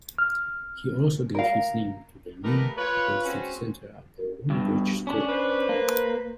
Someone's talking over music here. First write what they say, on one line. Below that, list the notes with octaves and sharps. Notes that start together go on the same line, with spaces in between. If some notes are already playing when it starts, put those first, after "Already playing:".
He also gave his name to the new "Belstead Centre" at Woodbridge School.
F6
A#4 F5
A3 A#3 G4 A#4 B4 D#5
F4 B4 C#5
G#3 C4 C#4 F#4
G2 B2
C#4 D4
B4 C5
A#3